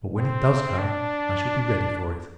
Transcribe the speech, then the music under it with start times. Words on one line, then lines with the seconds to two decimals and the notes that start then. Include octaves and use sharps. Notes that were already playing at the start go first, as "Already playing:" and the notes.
But when it does come I shall be ready for it.
0.18 C4
0.78 D4